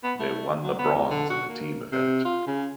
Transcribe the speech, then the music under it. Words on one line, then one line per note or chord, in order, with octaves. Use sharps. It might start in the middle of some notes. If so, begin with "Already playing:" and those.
They won the bronze in the team event.
B3
A3
F#3
B3
E2
D3
F#4
A#3
C3
F4
C#3